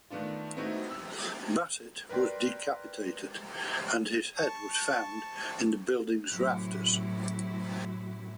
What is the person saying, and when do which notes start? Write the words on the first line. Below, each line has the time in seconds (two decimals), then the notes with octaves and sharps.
Bassett was decapitated, and his head was found in the building's rafters.
0.10 D#3 A3 B3 D4 F4
0.57 A3 B3 C4 D#4 E4 F#4
0.91 E6
2.09 A#4 B4 D5 G5 C6
4.37 A5 C#6
6.29 F#2 A2 C3 E4 F#4